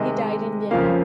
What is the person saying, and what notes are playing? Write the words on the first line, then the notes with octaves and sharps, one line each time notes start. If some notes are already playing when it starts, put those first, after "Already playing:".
He died in Vienna.
Already playing: C3 D#3 G#3 D#5
F2 C#3 F3 A#3 F5